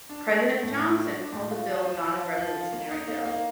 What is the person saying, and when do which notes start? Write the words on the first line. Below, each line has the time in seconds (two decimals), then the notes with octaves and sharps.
President Johnson called the bill not a revolutionary bill.
0.09 D4
0.28 A3
0.45 A3
0.63 A2
0.79 A2
0.98 D4
1.15 D4
1.33 A2
1.50 F4
1.68 F3
1.85 F3
2.03 F3
2.20 F4
2.38 F3
2.55 F4
2.73 A#3
2.91 D#4
3.08 A#3
3.25 A#3